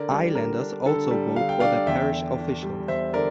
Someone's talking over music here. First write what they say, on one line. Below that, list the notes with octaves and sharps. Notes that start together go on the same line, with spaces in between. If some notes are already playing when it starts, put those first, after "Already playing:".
Islanders also vote for their Parish officials.
Already playing: D3 A#4 D5
G3
D3 A#4
D4
D3 A4
G3
D3 F5
G5
D4 D5 F5
E2 E5 G5
D3
D4
G3
E2 C5 E5
D3 A#4 D5